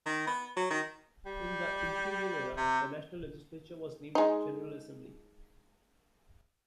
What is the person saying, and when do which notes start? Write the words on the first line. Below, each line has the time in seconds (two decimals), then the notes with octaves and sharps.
In the imperial era the national legislature was named "General Assembly".
0.06 D#3
0.27 B3
0.56 F#3
0.71 D#3
1.26 G3
2.57 C3
4.15 G#3 D#4